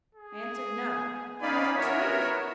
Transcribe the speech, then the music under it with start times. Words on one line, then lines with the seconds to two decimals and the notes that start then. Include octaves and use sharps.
I answered, No; how was I to know it?
0.15 G#4
0.78 B3
1.42 C#4 D#4 D5 F5 G#5 B5
1.78 B3 E4 F#4 A#4 C#5 E5